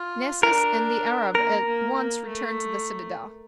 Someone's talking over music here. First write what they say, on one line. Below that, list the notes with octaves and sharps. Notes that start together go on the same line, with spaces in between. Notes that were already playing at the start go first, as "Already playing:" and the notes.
Nessus and the Arab at once returned to the citadel.
Already playing: F4
D4 A#4
A#3 A#4
A#3
A#3
A3